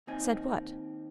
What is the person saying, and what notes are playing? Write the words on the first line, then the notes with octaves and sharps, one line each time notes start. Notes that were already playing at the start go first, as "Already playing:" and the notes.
"Said what?"
D#2 D#3 C4 D#4 G#5